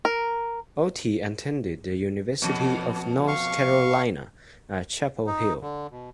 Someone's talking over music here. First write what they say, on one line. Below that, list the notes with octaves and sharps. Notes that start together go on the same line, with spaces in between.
Otey attended the University of North Carolina at Chapel Hill.
A#4
F2 B2
F5 C#6
D#4
D3
B2